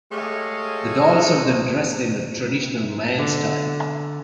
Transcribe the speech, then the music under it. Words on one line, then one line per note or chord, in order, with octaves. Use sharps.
The dolls are then dressed in traditional Mayan style.
G#3 A3 G4 C#5 D#5 F5
D3